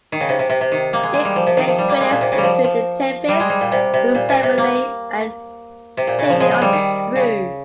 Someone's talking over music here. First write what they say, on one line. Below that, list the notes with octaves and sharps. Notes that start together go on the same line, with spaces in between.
Biggs' stage credits include "The Tempest", "Cymbeline" and "The Taming of the Shrew".
D#3
C#3
C3
C3
C3
C3
D#3
A#3
G#3
G#3
G3
F3
C3
D#3
F3
G3
A#3
G#3
A#2
C3
C#3
G3
F3
F3
G3
G#3
G3
A#2
C3
C3
A#2
C3
C3
A#3
C3
A#2
C#3
F3
G#3
G#3
G3
D#3
C#3